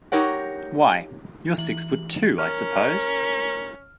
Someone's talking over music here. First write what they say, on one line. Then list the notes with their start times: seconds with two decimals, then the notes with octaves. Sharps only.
Why, you're six foot two, I suppose?
0.12 D#4 G4 A#4 C#5 F#5
1.58 E3 F#7
2.38 C#4 A#4 F6